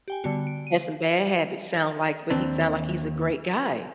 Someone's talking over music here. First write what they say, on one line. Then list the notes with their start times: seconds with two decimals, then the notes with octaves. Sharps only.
Had some bad habits sound like, but he sound like he's a great guy.
0.08 G4 G5 G#5
0.24 D3 G3 B3 F#4
0.47 D7
0.67 D#7
2.30 D#2 C4 D4